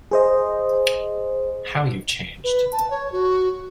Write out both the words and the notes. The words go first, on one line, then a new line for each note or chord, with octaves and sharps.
How you've changed!
G#4 C5 D#5
B4
A5
C#5
F#4